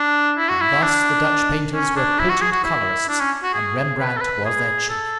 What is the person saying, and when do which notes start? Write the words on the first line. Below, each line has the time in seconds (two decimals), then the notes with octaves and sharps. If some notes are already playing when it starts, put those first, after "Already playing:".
And thus the Dutch painters were potent colorists, and Rembrandt was their chief.
Already playing: D4
0.38 E4
0.49 F#4
0.61 E4
0.83 D4
1.73 C#4
1.96 D4
2.19 E4
2.30 F#4
2.42 G#4
2.52 F#4
2.64 E4
3.09 D4
3.20 C#4
3.43 F#4
3.54 G#4
3.99 B4
4.17 A4
4.21 B4
4.45 G#4
4.89 A4